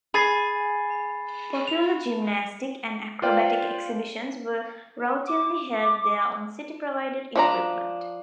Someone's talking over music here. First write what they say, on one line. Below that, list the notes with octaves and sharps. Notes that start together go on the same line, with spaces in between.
Popular gymnastic and acrobatic exhibitions were routinely held there on city-provided equipment.
G#4 B5 A6 C7
F7
F4 B4 C5 D5 F5 G5
D6
F3 D4 A#5